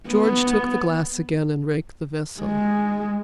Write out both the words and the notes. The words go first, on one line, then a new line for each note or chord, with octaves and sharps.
George took the glass again and raked the vessel.
B3
G#3